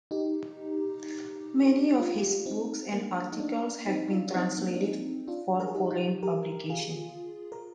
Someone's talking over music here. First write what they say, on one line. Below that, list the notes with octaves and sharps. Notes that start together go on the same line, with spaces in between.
Many of his books and articles have been translated for foreign publication.
D#4 G4
D4 F4
G4
F4
C4 D#4
A#3 D4
D#4
A#3 D4
C4 D#4
D4 F4
C4 D#4
A#3 D4
D4
C4 D#4
D4 F4
A#4
G#4
D#4 G4
G4 A#4
F4 G#4
A#4